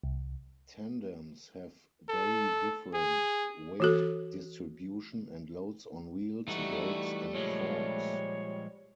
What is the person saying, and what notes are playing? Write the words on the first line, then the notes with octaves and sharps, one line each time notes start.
Tandems have very different weight distribution and loads on wheels, brakes, and forks.
C2
A4
G#4
E3 F#4 A4
E3 G3 A3 D#4 F#4
A#2 F3 G#3 C#5